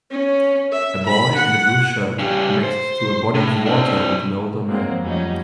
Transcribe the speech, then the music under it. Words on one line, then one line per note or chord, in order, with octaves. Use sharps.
A boy in a blue shirt next to a body of water with an older man.
C#4
E5
B5
F#5
C#3 G3
C5
A2
C4 D4
F#3 G#3 A#3 C4
F2 F#3 G3 A3 C#4 D#4